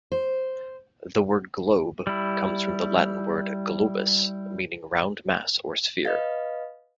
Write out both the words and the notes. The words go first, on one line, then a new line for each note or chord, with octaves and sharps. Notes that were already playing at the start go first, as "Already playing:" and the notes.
The word "globe" comes from the Latin word "globus", meaning round mass or sphere.
C5
G3 E4
B4 D#5 F5